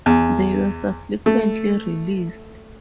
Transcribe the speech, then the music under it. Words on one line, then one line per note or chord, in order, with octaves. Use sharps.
They were subsequently released.
E2
A3